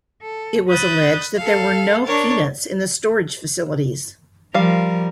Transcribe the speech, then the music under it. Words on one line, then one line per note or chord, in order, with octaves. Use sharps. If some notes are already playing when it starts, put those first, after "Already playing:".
It was alleged that there were no peanuts in the storage facilities.
A4
B5 D#6 F#6 G6 A6
A4 F5
D4 A#4 C#5 A6
F3 G3 A#4 F5